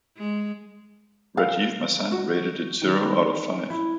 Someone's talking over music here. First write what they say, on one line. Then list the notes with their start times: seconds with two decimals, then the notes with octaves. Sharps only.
Rajeev Masand rated it zero out of five.
0.17 G#3
1.37 F5
2.12 F#4
2.82 D#3
3.70 E4